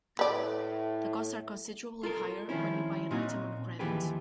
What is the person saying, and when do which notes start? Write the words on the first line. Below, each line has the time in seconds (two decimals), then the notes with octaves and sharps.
The costs are considerably higher when you buy an item on credit.
0.19 A2 B4 D5
2.03 F4 A4 A#4
2.49 D#3 F3 C4 C#4 E4
3.11 A#2 C4 C#4 D#4 F#4
3.79 D#2 E3 F3 G4 G#4 B4